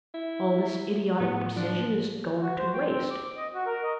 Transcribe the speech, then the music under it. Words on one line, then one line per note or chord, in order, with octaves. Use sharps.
All this idiotic precision is going to waste.
E4
A2 B3
F3 D4
F#4
C5
G5
C4
D6
D#5
F#4
A#4
D#5